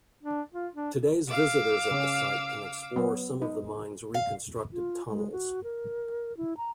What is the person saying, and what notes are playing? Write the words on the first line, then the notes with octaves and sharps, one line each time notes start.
Today visitors at the site can explore some of the mine's reconstructed tunnels.
D4
F4
D4
F5 D6 E6
C#3 C#4
F#3 B3
D#4
F5
F4
G#3
F#4
A#4
E4
A#5